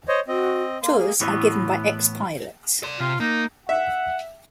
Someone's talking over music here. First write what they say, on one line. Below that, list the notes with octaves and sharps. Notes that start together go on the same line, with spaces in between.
Tours are given by ex-pilots.
C5 C#5 D#5
C4 F#4 D#5
A#3 C6
G#4
A2 E3 B3
D5 C6
C3 F4
A#3 D#4
E5 F#5